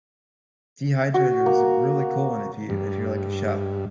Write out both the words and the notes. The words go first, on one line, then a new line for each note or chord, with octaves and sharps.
Dehydrator is a really cool one if you if you're like a chef.
F#4
A#3
G2